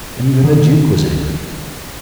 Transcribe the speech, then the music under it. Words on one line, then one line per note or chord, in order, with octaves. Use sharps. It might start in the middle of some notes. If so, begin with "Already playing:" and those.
And even the Duke was angry.
D3 D#3